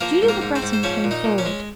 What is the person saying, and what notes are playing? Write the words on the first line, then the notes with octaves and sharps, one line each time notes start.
Julie Le Breton came forward.
F3 A#3 A#4
G#2
A#3 A#4
G#2
C4 C5
G#2
C5
F3 C#4 C#5
A#2
D#4 D#5
A#2
C#4 C#5
G#3